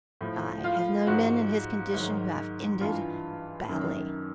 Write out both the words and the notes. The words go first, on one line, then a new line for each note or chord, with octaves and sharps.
I have known men in his condition who have ended badly.
A2 F3
F4
G#2 F3 F#4
G#2 D#3 F#3
G2 E3 F4
F#2 D#3 F#3